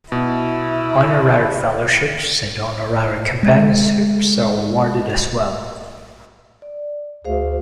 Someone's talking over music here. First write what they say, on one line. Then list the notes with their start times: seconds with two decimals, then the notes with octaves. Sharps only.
Honorary Fellowships and Honorary Companionships are awarded as well.
0.12 B2 E4
3.43 G#3 A3
6.62 D5
7.25 D2 G#4 C5 F5